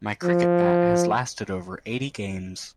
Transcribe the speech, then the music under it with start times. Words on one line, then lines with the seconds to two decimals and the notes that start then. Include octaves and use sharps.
My cricket bat has lasted over eighty games.
0.24 F3